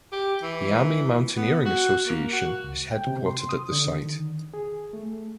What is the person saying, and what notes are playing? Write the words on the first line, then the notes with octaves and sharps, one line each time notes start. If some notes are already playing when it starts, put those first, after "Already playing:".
The Army Mountaineering Association is headquartered at the site.
G4
E3
B3
F#4
A#3
F#4
C#2
G5
C3
C6
D#6
D3
D#3
G#4
A3